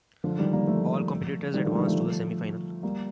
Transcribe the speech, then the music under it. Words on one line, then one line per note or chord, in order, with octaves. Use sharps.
All Competitors advanced to the semi-final.
D3 F3
D#3 G3
G3 A#3
F3 A3
D#3 G3
D3 F3
D#3 G3
F3 A3
G3 A#3